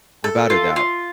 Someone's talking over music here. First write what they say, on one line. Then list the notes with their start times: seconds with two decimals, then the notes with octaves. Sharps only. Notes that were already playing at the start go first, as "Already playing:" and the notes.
Without a doubt.
0.24 A4
0.50 F4
0.76 F4